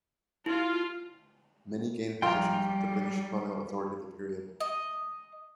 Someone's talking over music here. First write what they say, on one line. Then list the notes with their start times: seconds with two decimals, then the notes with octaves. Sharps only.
Many gained positions with the British colonial authority of the period.
0.46 E4 F4
2.22 A#1 G3 F4 G5 A#5 C6
4.60 D#5